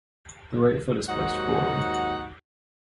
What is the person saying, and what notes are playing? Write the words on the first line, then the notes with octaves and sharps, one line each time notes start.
The right foot is placed forward.
D#2 G#2 F#3 D#4 F#4 F#5